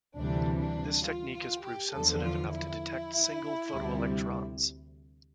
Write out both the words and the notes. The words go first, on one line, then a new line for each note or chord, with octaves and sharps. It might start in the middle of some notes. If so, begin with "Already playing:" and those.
This technique has proved sensitive enough to detect single photoelectrons.
D2 C3 E3 G3 D4
D4
F4
F4
G4
E2 D3 F3 A4
F4
E4
D2 C3 G3